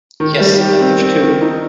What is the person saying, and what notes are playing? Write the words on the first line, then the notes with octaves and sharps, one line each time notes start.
Yes, I have two.
D#3
G3
G4
C4
C4
D#3
D#4